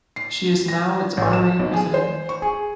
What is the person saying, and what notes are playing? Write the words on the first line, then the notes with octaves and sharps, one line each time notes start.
She is now its Honorary President.
C7
A#6
A1
E7
B1
G#4
C5
C#6
G#4